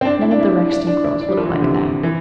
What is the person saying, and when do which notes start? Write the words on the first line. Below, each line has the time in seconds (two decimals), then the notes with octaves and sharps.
None of the Rexton girls looked like that.
0.01 C4
0.05 D4
0.21 E4
0.31 D4
0.40 E4
0.71 D4
0.87 D4
1.04 E4
1.21 D4
1.29 G3
1.37 F3
1.46 E3
1.53 D3
1.62 C3
2.03 E3